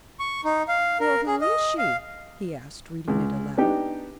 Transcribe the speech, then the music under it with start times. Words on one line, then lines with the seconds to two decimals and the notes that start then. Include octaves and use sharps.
"Well, who is she?" he asked, reading it aloud.
0.19 C#6
0.45 D#4
0.68 F5
1.00 A#4
1.27 G#4
1.41 D#5
1.78 F5
3.08 C#2
3.57 B3 D4 D#4 G4 G5